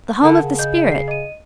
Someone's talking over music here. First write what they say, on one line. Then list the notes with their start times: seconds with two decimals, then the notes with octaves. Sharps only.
The Home of the Spirit!
0.23 D3 A#4 F#5 A5
0.43 C#3
0.59 D#5 G6
0.92 C7
1.08 D#5 D#7